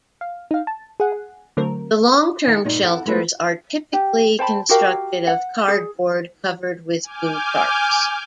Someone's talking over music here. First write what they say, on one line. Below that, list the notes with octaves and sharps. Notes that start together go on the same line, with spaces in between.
The long-term shelters are typically constructed of cardboard covered with blue tarps.
F5
D#4 F5
A5
G#4 F#5
D3 F#3 A3 C4 A#4
D#3 E4
G2 A#2 G3 A#3 C#4 D#4
F2 E4 A4 F5 F#5
G#3 A3 B3 E4 A4 B4
G4
C5 G5 A5 B5
F#4 G4 A#4 F5
F#5
G#4
G#5 D6 F6 G6